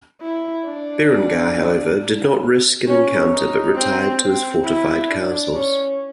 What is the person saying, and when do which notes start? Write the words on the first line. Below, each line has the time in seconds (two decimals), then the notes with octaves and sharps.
Berengar, however, did not risk an encounter, but retired to his fortified castles.
0.21 E4
0.65 D4
2.87 C#4
3.32 D#4
3.76 C4
4.21 C4
4.64 E4
5.09 D4
5.54 C#4